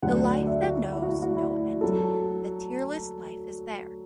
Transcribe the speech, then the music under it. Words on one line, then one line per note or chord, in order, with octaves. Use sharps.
The life that knows no ending, the tearless life is there.
D2 D3 F#3 F#5
D5
E5
F#4
F#4
E4
F#4
E4
F#4
E4
F#3 A4